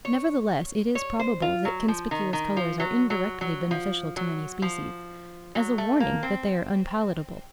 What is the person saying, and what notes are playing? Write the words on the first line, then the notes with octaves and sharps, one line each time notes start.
Nevertheless, it is probable that conspicuous colours are indirectly beneficial to many species, as a warning that they are unpalatable.
C#5
C#5
C5
F4
F#3
F3
D#3
D#3
F3
F#3
F#3
F#3
F3
F#3
F3
F#3
A3
A#3
C4